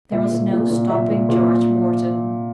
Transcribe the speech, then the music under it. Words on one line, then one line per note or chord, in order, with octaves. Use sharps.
There was no stopping George Morton.
A#2 E5
A#2
A#2
A#2
A#2 E5
A#2
A#2